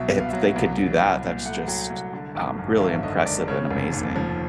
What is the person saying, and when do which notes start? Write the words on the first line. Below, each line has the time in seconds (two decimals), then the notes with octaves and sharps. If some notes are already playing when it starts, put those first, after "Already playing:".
if they could do that, that's just, um, really impressive and amazing.
Already playing: C2 B2 F#3 E5
0.11 B3 E5
0.20 F5
0.29 F#3 E5
0.56 C2
0.78 F#3
1.01 C2
1.23 A#2
1.46 A3 F#5
1.68 F#3 G5
1.90 C2
2.13 D3
2.35 G#1
2.58 F#2
2.76 F5
2.80 G#1 E5
3.03 D3 D#5
3.25 G#1 D5
3.48 C#3 C#5
3.71 F1
3.93 D#2
4.16 F3